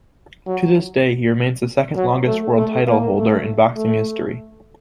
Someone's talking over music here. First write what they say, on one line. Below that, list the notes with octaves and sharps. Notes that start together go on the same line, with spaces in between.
To this day he remains the second longest world title holder in boxing history.
F#3
F#3
A3
A3
A#3
A3
A3